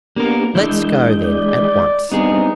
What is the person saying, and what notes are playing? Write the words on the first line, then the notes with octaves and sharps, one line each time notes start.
"Let's go then, at once."
A#3 B3 D4 G4 A#4
E3 G#3 D4 D#5 G6
D5
G3 B3 C4 D4 D#4 G#4